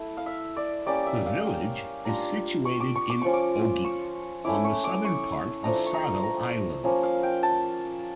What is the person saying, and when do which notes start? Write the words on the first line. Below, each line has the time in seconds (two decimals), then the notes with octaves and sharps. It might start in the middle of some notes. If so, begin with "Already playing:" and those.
The Village is situated in Ogi on the southern part of Sado Island.
Already playing: A3 E4
0.17 F5
0.26 E5
0.56 D5
0.86 G3 A#3 C#4 D5
1.06 E5
1.26 F5
1.46 G5
2.05 G3 D4 F4 A#5
2.65 C#6
2.80 D6
2.96 C#6
3.10 D6
3.22 F3 C#4 F4 C#6
3.34 D6
3.84 C#6
4.44 A3 C#4 E4 D6
4.65 C#6
4.84 D6
5.05 C#6
5.64 F3 A3 D4 A#5
5.86 C#6
5.94 A#5
6.23 A#5
6.84 F3 A#3 C#4
7.03 F5
7.23 G5
7.43 A5